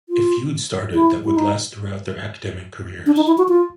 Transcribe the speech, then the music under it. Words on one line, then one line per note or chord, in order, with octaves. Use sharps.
A feud started that would last throughout their academic careers.
F4
E4
E4
D#4
D4
D#4
E4
F#4
F4